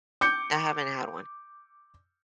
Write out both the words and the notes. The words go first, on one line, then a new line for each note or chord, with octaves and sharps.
I haven't had one.
D6 G6 C#7